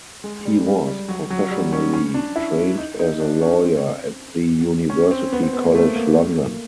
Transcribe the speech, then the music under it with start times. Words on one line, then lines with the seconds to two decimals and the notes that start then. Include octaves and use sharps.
He was professionally trained as a lawyer at the University College London.
0.24 G#3
0.45 G3
0.67 G3
0.88 G3
1.08 F#3
1.30 F#3
1.51 G3
1.73 C#4
1.94 C#4
2.14 D4
2.36 E4
2.78 D#4
2.99 D#4
3.20 D4
3.41 C#4
3.63 C4
4.90 C#4
5.11 C4
5.32 B3
5.43 C4
5.53 B3
5.64 A#3
5.75 A3
5.96 A#3
6.16 A3
6.38 A#3